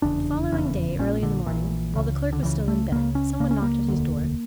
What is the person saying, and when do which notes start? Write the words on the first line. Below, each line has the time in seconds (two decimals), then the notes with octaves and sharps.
The following day, early in the morning, while the Clerk was still in bed, someone knocked at his door.
0.02 F1 E2 C#3 D4
0.50 F1 E2 C#3
0.99 A#1 A#2 C#4
1.23 D3
1.46 A#1 A#2 E3
1.95 C#2 C#3
2.33 D3
2.43 C#2 C#3 E3
2.68 A3
2.92 C#2 C#3 A#3
3.15 C#4
3.40 C#2 C#3 A#3
3.51 C#4
3.62 A#3
3.88 E1 D2 D3